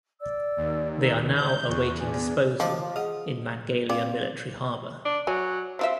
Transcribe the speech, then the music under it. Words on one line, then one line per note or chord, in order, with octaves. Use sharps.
They are now awaiting disposal in Mangalia military harbor.
D5 E6
D#2
A#4 E6
C5 D5 A5 G6
E2 C#6 F#6
D4 G#4 G#5
E3 F3 F4 D#5 A5 D6
G#4 D#5 F#5
C4 F4 D5
D4
F#3 G#5
G3 C4 F4 E5